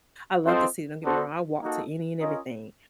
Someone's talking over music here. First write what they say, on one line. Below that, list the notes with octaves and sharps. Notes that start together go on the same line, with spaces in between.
I love the city, don't get me wrong. I walked to any and everything,
C4 F4 A4 C5 D#5
B3 D4 F#4 A4 C5
A#3 D#4 F#4 A4
C#4 F4 A#4 D#5